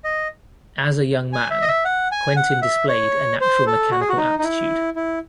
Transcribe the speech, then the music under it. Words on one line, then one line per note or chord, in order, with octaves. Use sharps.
As a young man, Quentin displayed a natural mechanical aptitude.
D#5
G#5
E5
D#5
E5
F#5
G#5
F#5
E5
C#5
C5
A4
F#4
G#4
F#4
D#4
D#4
E4
E4